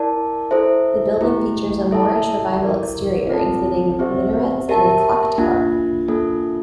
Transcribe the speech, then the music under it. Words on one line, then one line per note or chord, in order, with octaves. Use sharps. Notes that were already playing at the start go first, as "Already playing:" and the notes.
The building features a Moorish Revival exterior, including minarets and a clock tower.
Already playing: E4 A#4 D5 A5
E4 A4 C5 E5
A3 E4 G4
E4 A4 E5 A5
E4 G4 A#4 D5
C4 F4 A4 D5 A5
C4 G4 C5 E5
G4 A#4 E5 A5
A#3 D4 F4
A#3 D4 F4 A4